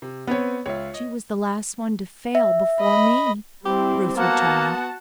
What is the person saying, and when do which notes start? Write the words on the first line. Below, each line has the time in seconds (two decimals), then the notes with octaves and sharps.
"She was the last one to fail before me," Ruth returned.
0.02 C3
0.27 B3 C4 B4 C#5
0.66 C#2 F4 C#5 E5
0.94 D#5
2.35 E5
2.80 D#5 B5
3.66 G3 C4 E4 G4
4.16 A#3 B3 F#4 F#5 A5